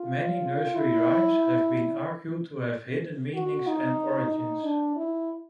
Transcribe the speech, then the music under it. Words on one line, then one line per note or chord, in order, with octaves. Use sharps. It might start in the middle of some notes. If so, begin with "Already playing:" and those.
Many nursery rhymes have been argued to have hidden meanings and origins.
Already playing: F4
E4
F#4
D#4
D#4
D4
E4